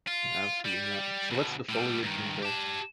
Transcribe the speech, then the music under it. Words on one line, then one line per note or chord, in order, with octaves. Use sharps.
Absolutely not. So, what's the foliage and the
F4
G3
D2 B2
A2 G3
G2 D#3
G4 A5